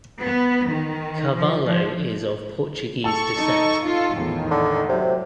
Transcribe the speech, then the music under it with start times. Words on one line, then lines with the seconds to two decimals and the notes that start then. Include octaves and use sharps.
Carvalho is of Portuguese descent.
0.23 B3
0.67 D#3
1.34 F3
1.65 F3
3.04 A4 A5 C#6 E6
3.37 D#4
3.84 D#4 F4 A4
4.17 E2 A2 D#3
4.51 D3
4.89 C3 F#3 C5